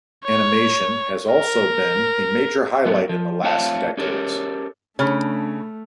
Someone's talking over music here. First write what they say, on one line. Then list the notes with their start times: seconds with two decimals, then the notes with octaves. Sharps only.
Animation has also been a major highlight in the last decades.
0.25 C#5
1.32 A#4
2.85 F#2 F#3 A3 B3
3.09 F3
3.43 A3 C4 F4 C#5 F5 A5
3.97 C#4 G4 A4 A#4 C#5
4.99 C#3 A3 D4 C#5 B5 F6